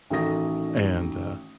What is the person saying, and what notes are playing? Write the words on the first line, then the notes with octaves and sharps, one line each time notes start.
and, uh
A1 D#3 A3 F#4 D#6 A#6